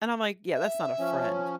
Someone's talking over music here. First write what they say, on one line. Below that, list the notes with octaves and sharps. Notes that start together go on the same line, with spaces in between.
And I'm, like, "Yeah, that's not a friend."
E5
F3 C#4